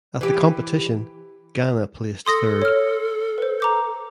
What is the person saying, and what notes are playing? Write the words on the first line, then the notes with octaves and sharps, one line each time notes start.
At the competition Ghana placed third.
E3 G4
A4 C6 D#6 A#6
C#5 F6
B4 C5
A#5 D6 G6